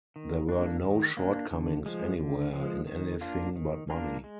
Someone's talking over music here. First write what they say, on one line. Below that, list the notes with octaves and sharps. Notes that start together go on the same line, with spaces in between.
There were no shortcomings anywhere, in anything but money.
D#3
A#3 D4
D#3
A#3 D4
D3
F3 G#3
D3
F3 G#3
D#3
A#3 D4 F4 A#4
D#3
A#3 D4 F4 A#4
G#3